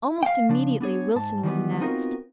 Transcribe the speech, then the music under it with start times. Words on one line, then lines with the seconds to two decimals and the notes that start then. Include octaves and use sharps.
Almost immediately Wilson was announced.
0.23 F5 G5
0.49 C#3 F3 D4
0.81 B3 D4 G#4 C#5
1.15 G#2 A5
1.43 D#3 E3 G3 B3
1.80 B3 C4 D#4 F4 F#4 A#4